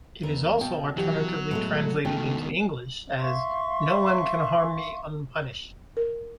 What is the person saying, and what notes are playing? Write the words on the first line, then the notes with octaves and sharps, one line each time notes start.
It is also alternatively translated into English as "No one can harm me unpunished".
E2 A#4
B2 G5
E3 F#3 G4
A2 G#3 A3 B3
C#2 B2 D#3 A3 G5
E5 F5 C6 C#6
A#4